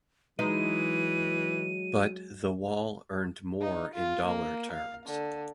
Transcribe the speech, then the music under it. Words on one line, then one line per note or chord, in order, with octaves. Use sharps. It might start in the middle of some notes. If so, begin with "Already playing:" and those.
But "The Wall" earned more in dollar terms.
E3 F#3 G#3 D#4 B4 D#7
D#4
F4
A#3
F5
D3